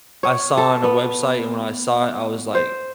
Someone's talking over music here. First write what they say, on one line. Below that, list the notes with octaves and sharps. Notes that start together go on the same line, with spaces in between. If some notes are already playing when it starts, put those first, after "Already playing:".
I saw on a website, and when I saw it, I was like,
C#5
A4
B3
C5